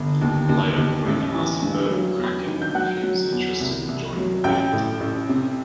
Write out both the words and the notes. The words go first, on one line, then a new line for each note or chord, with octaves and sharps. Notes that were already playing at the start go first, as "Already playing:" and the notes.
Later Quinn asked Bert McCracken if he was interested in joining the band.
Already playing: G1
D#2
D#2
D#2
A1
E3
G2
F#3
E2
D#3
G6
F#3 F#5 F#6
F#3
E2
C2
C2
F#3
A1 G5 G6
A2
A1
C3